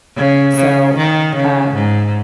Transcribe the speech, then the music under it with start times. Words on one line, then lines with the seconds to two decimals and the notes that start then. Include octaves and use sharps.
So, um,
0.17 C#3
0.56 C#3
0.96 D#3
1.36 C#3
1.75 G#2